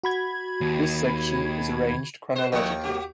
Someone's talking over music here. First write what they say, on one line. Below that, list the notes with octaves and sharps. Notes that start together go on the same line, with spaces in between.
This section is arranged chronologically.
F#4 B5 G#6
D#2
B4 C5
D#2 A2 D#3 F3 A3
F#4 G4